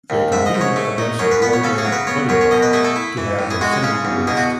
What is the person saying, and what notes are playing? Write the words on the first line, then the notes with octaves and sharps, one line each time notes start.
They competed against the boy band Glitterbug, to have their single released.
D#2
G#2 E5
D#5
G#2
C#5
A3
D#4
F#2 C#5
B4
B3 B4
C#5
C#3 A4
G#4
F#3
B4
B3 C#5
F#2 C#5
C#5
B2 D#5
B4
A3 G#4
A4
E4
E3
A2
G#4
G#3 F#4
G#4
C#3 G#4
E2
B2 G#4
F#4